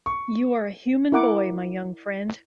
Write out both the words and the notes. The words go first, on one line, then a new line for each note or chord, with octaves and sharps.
You are a human boy, my young friend.
C#6
E4 A#4 F#5 D6